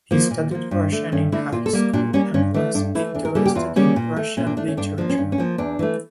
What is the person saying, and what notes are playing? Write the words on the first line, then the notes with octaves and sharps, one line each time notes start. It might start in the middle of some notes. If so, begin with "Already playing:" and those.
He studied Russian in high school and was interested in Russian literature.
F3 A#3
A#2
F3 A#3
G2
D3 A3
G2 C#4
D3 A3 E4
A#2 F4
A4
G3 A#3
A#2 D4
G3 A#3 C#4
G2 C#4
E3 A3 D4
G2 D4
E3 A3 E4
E2 D4
A#4
C#3 G3 A#3 A4
G4
E2 F4
C#3 G3 A#3 C#4
A#2
A3
A#2 C#4
D4
A3 D4
C#4
G2 D4
F3 A#3 D4
C#4
G2
C#4
F3 A#3
E2 D4
E3 A3